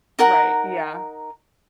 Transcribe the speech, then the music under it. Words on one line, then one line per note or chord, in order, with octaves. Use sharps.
Right, yeah.
D#4 A#4 F#5 A#5